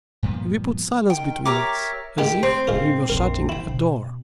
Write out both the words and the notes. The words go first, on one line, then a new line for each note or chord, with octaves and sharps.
We put silence between us, as if we were shutting a door.
G2 A#2 F3 B3
D#3 G5
G4 A#4 C#5 E5 A#5 D6
A2 D#3 G#3 G4
A3 C4
A2 G#3 D#4 F4 A#4
A#1 F2 A#4
E3 E4 G5
B2